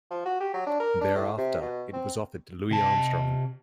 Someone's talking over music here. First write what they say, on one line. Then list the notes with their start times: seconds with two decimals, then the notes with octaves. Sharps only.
Thereafter, it was offered to Louis Armstrong.
0.10 F3
0.25 F#4
0.40 G4
0.54 F#3
0.67 D4
0.80 A#4
1.01 D4
1.15 A2
1.38 C3
1.61 B2
1.93 C4
2.71 C3 A5